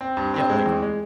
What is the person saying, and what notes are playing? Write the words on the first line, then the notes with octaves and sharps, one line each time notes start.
yeah, like,
C4
G2
C4
G#3
E2
G#3